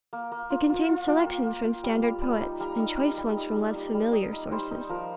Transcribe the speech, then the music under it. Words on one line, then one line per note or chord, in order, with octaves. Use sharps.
It contained selections from standard poets, and choice ones from less familiar sources.
A#3
A#3
F4
F4
F4
A#3 G5
A#3
A#3
F4
G3
G3
G3
D#4
G3 A#5
D#4
G3
G3
D#4
G3
D#4
G3
D#4 D#5
D#4
G3 C5
D#4
F3 A#4